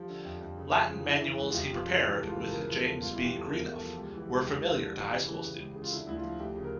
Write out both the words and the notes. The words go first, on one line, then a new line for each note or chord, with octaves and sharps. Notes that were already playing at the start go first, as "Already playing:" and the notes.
Latin manuals he prepared with James B. Greenough were familiar to high school students.
Already playing: F3 G4
D3
F2
F2
C#3
F3
C#3
C#3 E4
E3
C#2
F4
F2 G4
F3 F4
C#3
E3 G4
C#2 A4
F4
E3 A4
C#3 A#4
F3
A4
E2
G2 F4
E3 E4
G4
E3 A4
E2 A#4
E2
A4
F3
C#2 G4
E3
G4
C#2
F2 G4
F3
D3
E3
C#3
E3
C#3
C#2
C#3
F4
D3 E4
D2 E4
F4
F3
D2 G4
C#3
A#4